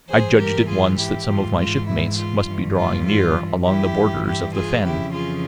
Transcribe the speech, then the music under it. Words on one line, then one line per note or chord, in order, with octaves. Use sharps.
I judged at once that some of my shipmates must be drawing near along the borders of the fen.
G#2 E3 G#4 C5
G4 A#4
F4 G#4
E4 G4
G#2 E3 F4
F4
E4
F4
G2 E3
F4
F4
G2 E3 E4 G4
E4 G4
F4 G#4
F2 C#3 E3 E4 G4
F4 G#4